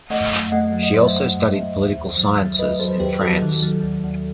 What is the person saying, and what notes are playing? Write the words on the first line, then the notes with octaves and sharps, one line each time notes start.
She also studied Political Sciences in France.
A3 D#5 F#5
F#2
A3 D#5 F#5
F#3
D#5
F#3 C5 E5
F#2
F#2
F#2
D#2
D#2
F#3
F#3
D#2 B4 D#5
F#3 A4 C5
D#2 G4 B4
F#3 F#4 A4
D#3
F#3
D#2
D#2